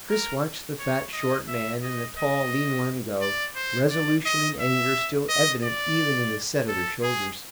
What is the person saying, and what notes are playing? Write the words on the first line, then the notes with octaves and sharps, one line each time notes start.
Chris watched the fat short man and the tall lean one go, resolution and anger still evident even in the set of their shoulders.
A#4
C#5
D#5
E5
D#5
D#5
D5
C5
D5
D#5
E5
D#5
D5
A4
G#4